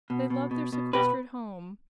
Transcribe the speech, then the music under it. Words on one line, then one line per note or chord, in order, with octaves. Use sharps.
They loved their sequestered home.
B2
B2
B2
B2
B2 G4 B4